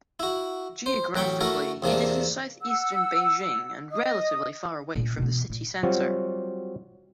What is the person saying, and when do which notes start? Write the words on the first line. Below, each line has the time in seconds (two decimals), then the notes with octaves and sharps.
Geographically, it is in southeastern Beijing and relatively far away from the city centre.
0.20 E4 F#4
0.86 C5
1.15 A1 F#3 G5 B5 C#6
1.41 A3 E4 F#4 A#4
1.82 E2 C3 A#3 D4
2.62 F#5 E6
3.92 D#5 D#6
4.96 A#2 C#4
5.18 B2 E3
5.50 A#2
5.83 F#3 G3 C4 F4 F#4